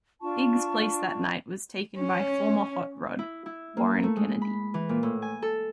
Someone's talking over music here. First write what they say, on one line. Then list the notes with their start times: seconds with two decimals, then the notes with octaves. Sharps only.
Higgs' place that night was taken by former Hot Rod, Warren Kennedy.
0.21 D4 F4 A5 C#6
1.99 C#4
3.19 E4
3.46 E4
3.77 A#3
4.03 A3
4.16 G#3
4.42 B5
4.74 E3
4.89 A#2
5.03 A2
5.22 G#5
5.42 A4